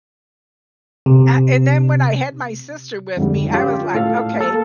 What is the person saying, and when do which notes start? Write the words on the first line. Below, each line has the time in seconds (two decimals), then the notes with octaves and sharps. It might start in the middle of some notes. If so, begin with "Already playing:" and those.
Ah and then when I had my sister with me, I was like, "Okay,
1.06 C3
3.17 F2 G#2 D3 G3
3.53 C#4 F4 G4
3.95 A2 A4 F5
4.41 A#3 A4